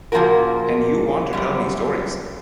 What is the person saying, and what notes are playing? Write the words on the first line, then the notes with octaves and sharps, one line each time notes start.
And you want me to tell stories!
A#2 C#3 F3 A#3 F#4 A#4
F#2 C3 G3